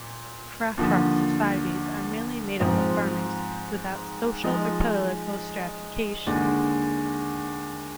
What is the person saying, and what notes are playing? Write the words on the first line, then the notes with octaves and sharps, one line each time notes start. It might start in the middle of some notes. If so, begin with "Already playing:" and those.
Frafra societies are mainly made up of farmers, without social or political stratification.
Already playing: A#2
D#2 D3 F3
G#2 F3 C4
F3 G#3 D#4
D#2 D3 G#3